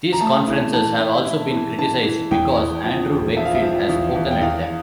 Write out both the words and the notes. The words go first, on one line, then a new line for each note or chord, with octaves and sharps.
These conferences have also been criticized because Andrew Wakefield has spoken at them.
A#5
A3 A5
E3
E3 A5
E4
E4
E3
E3 A5
E3
E2 G5
E2
F3
E1
F3 E5
F5
E5
F3
E2
E2
G5
E2 F5